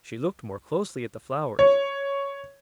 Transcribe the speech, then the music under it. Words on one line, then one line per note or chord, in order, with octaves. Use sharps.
She looked more closely at the flowers.
C#5